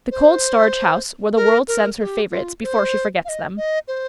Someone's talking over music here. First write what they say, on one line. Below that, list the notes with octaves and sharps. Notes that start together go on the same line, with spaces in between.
The cold storage house where the world sends her favorites before she forgets them.
C5
A#4
A#4
A#4
G4
F4
C5
F5
D#5
D#5
C5